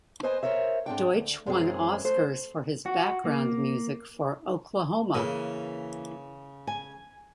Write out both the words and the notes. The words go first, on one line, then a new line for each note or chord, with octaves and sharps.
Deutsch won Oscars for his background music for Oklahoma!
B4 C5 D#5 G#5
A#4 C5 C#5 E5
G#2 C4 D4 G5
D2
F#2 G#3 C4 C#4 G#4
A3 C5
F#4
A#3
C#3 E3 A#3
G#5